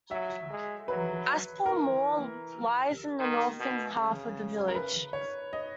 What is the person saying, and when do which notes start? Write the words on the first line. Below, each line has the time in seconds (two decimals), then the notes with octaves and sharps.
Aspull Moor lies in the northern half of the village.
0.10 F#3 E5
0.50 G#3
0.88 F#3 B4
1.65 E3 A#4
3.20 D#3
3.59 B2
3.97 C#3
4.68 A#4
4.75 B4
5.13 C#5
5.53 D#5